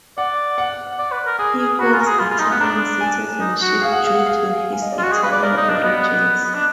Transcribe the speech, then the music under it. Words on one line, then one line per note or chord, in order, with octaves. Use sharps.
He holds Italian citizenship due to his Italian origins.
D5 F#5
F#5
D5
B4
A#4
G#4 G#5
G#4
F#4 B5
A#5
F4 G#5
A#4 A#5
G#4
F4 B5
F4
D#4 A#5
B3
D4 A#5
G#5
D#4
F#4
G#4 F5
F#5
F5
F#5
F5
G#5
D#5
D5
F4
F#4 D#5
G#4
B4 F5
D5
A#4 D5
D#4 D5
D#5
D4
B3 D#5
B3
D4